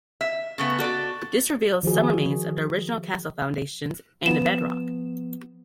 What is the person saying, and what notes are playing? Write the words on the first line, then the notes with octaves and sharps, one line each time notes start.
This revealed some remains of the original castle foundations and the bedrock.
E5
C#3 A3 B3
F#4 A4 D5
D#3 F3 F#4 G#4
F3 B3 E7